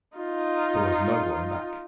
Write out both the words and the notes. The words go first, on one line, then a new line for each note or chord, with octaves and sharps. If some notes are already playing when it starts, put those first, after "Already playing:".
There was no going back.
D#4 F4